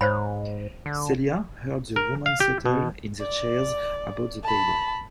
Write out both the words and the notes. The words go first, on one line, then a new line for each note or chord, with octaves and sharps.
Celia heard the women settle in their chairs about the table.
G#2 C5 C#5 B5
D3
A#4
F5
G4
B2
D5
A5 B5